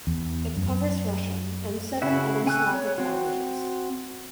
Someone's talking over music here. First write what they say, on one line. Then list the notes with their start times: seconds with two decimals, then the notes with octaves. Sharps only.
It covers Russian and seven other Slavic languages.
0.07 E2
0.57 F#2
2.02 C#3 E4 F#4 E5
2.46 C4 G#5 C#6 E6 F#6
2.73 C#5
2.98 C4 F#4